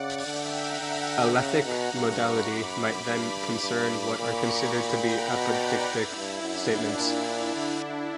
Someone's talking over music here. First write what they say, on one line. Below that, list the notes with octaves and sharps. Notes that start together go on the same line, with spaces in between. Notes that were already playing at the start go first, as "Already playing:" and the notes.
Alethic modality might then concern what are considered to be apodictic statements.
Already playing: C#3 D5 F#5
D3 E5 G5
F#5 A#5
D3
C#3
B2
G2 A#5 C#6
B5 D6
F#2 B5 D6
G2
G2
A#2 A#5 C#6
A#2 G5 B5
F#5 A#5
B2 D5 F#5
B4 D5
E4
G2
F#2 D4
E4
A#2
D3